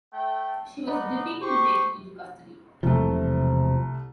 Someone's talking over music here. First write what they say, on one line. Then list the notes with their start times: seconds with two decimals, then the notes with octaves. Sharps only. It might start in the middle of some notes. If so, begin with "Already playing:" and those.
She was defeated and taken into custody.
0.13 A3 G5
0.87 D#4 B4 D5 D#5 F#5
1.43 G4 C5 C#6
2.83 E1 C2 C3 F3 A3